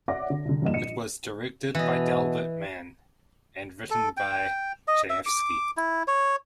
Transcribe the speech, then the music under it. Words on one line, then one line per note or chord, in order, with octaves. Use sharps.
It was directed by Delbert Mann and written by Chayefsky.
C#5 D5 E5 F#5 D6 A#6
D3
C2 D3
E2 G2 A#3 D#5 E7
A#1 D#5 C#7 D#7
B2 E3 D#5
A4
G5
D#5
E5
D6
E4
C#5